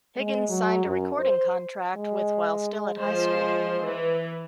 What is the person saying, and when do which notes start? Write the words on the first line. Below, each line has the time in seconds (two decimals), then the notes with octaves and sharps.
Higgins signed a recording contract with while still at high school.
0.16 G#3
0.49 F#3
0.86 F#2
1.19 C5
1.95 G#3
3.00 F3 G#3 C5
3.83 E3